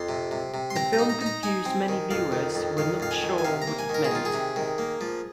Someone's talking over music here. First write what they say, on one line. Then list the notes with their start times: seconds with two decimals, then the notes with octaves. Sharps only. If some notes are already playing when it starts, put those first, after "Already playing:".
The film confused many viewers who were not sure what it meant.
Already playing: F2 C6
0.09 C3
0.31 C3
0.54 C3
0.70 C6
0.76 C4 A#5
0.93 A#5
0.99 D#4
1.09 A#5
1.21 D#4
1.26 A#5
1.43 D#4 G#5
1.65 C4
1.88 D#3
2.11 F2 F5
2.32 D#3
2.55 F2
2.77 D#3 F5
3.00 F2 F5
3.11 G#5
3.22 D#3
3.38 G#5
3.44 C3 F5
3.62 A#5
3.67 A#3
3.79 G#5
3.89 D#3
3.94 A#4
4.04 G#4
4.11 D#3 F4
4.25 G#4
4.34 C3
4.56 D#3
4.78 A#3
5.01 F3